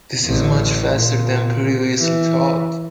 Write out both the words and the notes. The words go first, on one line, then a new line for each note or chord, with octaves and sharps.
This is much faster than previously thought.
A1
A#2
E3